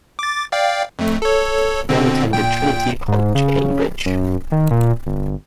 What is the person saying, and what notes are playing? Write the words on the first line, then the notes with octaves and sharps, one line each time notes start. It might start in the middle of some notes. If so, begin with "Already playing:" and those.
He then attended Trinity College, Cambridge.
D6 A6
D5 F5 G5
F2 A3
A4 C#5
B2 D3 C4
A#2 G5
G#2
C#3
F#2
D#3
A#2
G1